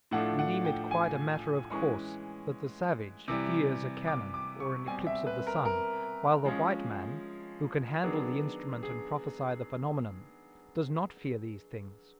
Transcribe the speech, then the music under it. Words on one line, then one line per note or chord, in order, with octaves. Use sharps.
We deem it quite a matter of course that the savage fears a cannon or an eclipse of the sun, while the white man, who can handle the instrument and prophesy the phenomenon, does not fear these things.
A2 F3 A3 D4 F#5
F#5
G5
G#5
E3 G#3 C#4 C#6
C3 E3 G3
D6
D6
C#6
B2 G3 C4 G#5
E5
B4
A#4
A#4
F3 G#3 C#4
D#3 F#3 B3 D4 G#4
G#4